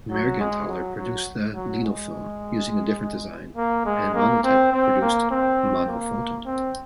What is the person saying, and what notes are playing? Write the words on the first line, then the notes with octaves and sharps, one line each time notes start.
Mergenthaler produced the Linofilm using a different design, and Monotype produced Monophoto.
F#3
G#3
F#3
F#3
F#3
G#3
A#3
G#3
A#3
C4
C4
A#3
C4
A#3
C4